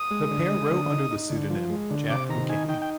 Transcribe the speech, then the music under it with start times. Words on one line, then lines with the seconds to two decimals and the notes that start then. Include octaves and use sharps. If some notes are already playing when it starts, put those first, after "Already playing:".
The pair wrote under the pseudonym Jack McKinney.
Already playing: D#6
0.11 G#3
0.31 D3
0.51 G#3
0.71 D3
0.91 D#4
1.11 D#4
1.30 D3
1.50 F3
1.70 G#3
1.91 D3
2.10 C3 D6
2.29 D#3 A#5
2.50 D#4 G#5
2.69 D#4 G5
2.82 G5